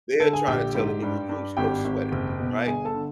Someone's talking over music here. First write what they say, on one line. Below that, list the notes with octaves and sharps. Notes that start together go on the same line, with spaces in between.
They're trying to tell the new recruits, "Don't sweat it," right,
D3 A4 A5
G#4 G#5
A#1 G4 G5
G#2
G2
G2
G#1 G4 G5
G#1
F#1
B2
G1 G#4 G#5
A4 A5
D3